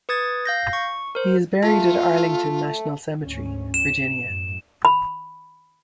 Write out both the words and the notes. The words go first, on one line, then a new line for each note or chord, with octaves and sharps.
He is buried at Arlington National Cemetery, Virginia.
B4 D#6 G#6 A6
F5 G6 A#6
C#6
A#4 C5
A3 F4
D2 G#2 C#4
E7
F#2 A2
B5